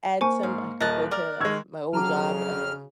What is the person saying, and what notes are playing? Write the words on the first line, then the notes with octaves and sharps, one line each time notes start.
add some I could go to my old job, um
A#3 C5 G#5 C#6
G#2 F5
D#1 A#4 D#5 A5 F#6
A#4 D5 F6
D#3 G#3 C#6 E6 G#6
F2 C#3 F#3 F#4 A5 A#5 D6 F6